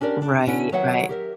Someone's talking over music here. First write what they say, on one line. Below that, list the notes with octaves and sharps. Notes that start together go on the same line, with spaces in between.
Right, right.
C#4 D4 G4 A#4 D5
D4
D3 C#4 D4 E4 E5 F#5
D#3 F#3 B4 C#5 E5 F#5
G4 A#4 E5